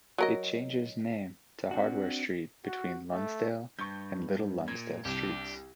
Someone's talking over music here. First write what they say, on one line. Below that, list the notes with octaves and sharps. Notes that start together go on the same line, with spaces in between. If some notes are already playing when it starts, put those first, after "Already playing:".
It changes name to Hardware Street between Lonsdale and Little Lonsdale Streets.
F#3 A#4 D#5
C4 D4 F#4
F#4
A3
G2 C#6 G6
A#2 G#6
C2 D4 G4